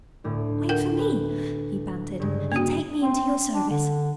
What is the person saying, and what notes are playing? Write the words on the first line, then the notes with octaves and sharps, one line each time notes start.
'Wait for me,' he panted, 'and take me into your service.
D2 A2
A#4 F#5 G5
B4
G2 C#3 G#3
A#3 F#4
C4
D4
D3